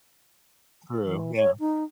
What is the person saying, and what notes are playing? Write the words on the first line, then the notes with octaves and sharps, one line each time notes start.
True, yeah.
E3
C#5
D#4